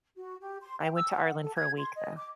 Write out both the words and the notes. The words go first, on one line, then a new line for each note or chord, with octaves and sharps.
I went to Ireland for a week, though.
F#4
G4
C6
G5
E6
F#5
A4
G#6
C6
D#5
D6